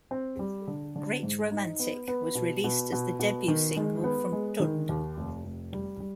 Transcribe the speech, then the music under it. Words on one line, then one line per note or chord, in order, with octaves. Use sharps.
"Great Romantic" was released as the debut single from "Tunde".
C4
G3
D3
D3
G#2
D#4
B3
B3
B2
B2
B2
B2
D#3
G#3
B3
G#3
D#3
D#2
F1
F1
G3
G3